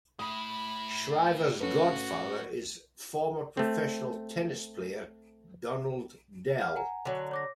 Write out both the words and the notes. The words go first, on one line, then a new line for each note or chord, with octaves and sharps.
Shriver's godfather is former professional tennis player Donald Dell.
A2 E4 B5 D#6
C#4 F#4 A4 B4
A3 C4
F5 F#5 F6
F#5 G#5 A#5
D3 F#3
C#5 D6 A#6